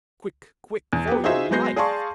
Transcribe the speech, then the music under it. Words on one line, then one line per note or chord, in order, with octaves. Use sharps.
Quick--quick! for your life.
E2
B3 G4
D#4 F4 F#4 G#4 C5 E5
F#3 G#3 B3 G6 A#6 C7
G#4 D5 F5 A5 C6 C#6